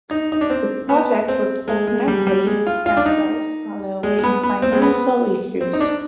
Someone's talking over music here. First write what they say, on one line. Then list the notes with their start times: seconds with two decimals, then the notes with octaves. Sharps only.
The project was ultimately canceled following financial issues.
0.11 D#4
0.32 D#4
0.41 D4
0.50 C4
0.89 B3
1.28 C4
1.68 G#3
1.87 G#3
2.08 G3
2.27 G3
2.47 G#3
2.67 F4
2.86 F4
2.97 D4
3.06 D#4
4.03 G#3
4.19 G#3
4.24 B3
4.43 B3
4.62 C4
4.73 G#3
4.82 B3
5.61 C4
5.73 D#4
5.80 D4